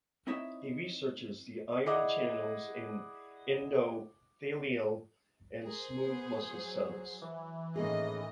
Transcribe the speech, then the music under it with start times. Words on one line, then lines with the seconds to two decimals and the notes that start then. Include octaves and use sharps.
He researches the ion channels in endothelial and smooth muscle cells.
0.27 C4 D#4 E4 C#5 D#5 E5
1.86 E4 G#4 D5 D#5 F#5 D6
5.66 G#4 A#4 C5
6.05 B3
6.46 F#3
7.22 E3
7.76 A2 D#3 A#3 C#4 G#4 D#5